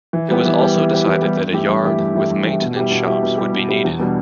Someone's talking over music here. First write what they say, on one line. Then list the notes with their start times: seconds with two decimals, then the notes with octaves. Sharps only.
It was also decided that a yard with maintenance shops would be needed.
0.13 E3
0.29 G3 B3 G4
0.45 E3
0.60 G3 B3 G4
0.75 E3
0.91 G3 B3 G4
1.06 E3
1.22 G3 B3 G4
1.37 G2
1.53 E3 A3 E4 G4
1.68 G2
1.83 E3 A3 E4 G4
1.99 G2
2.14 E3 A3 E4 G4
2.30 G2
2.45 E3 A3 E4 G4
2.61 B2
2.76 G3 E4 G4
2.91 B2
3.07 G3 E4 G4
3.23 B2
3.38 G3 E4 G4
3.53 B2
3.69 G3 E4 G4
3.85 E2
3.99 B2 G3 D4